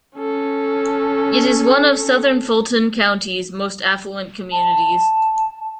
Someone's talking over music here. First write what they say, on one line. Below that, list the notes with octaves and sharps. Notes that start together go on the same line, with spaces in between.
It is one of southern Fulton County's most affluent communities.
C#4 A4
A5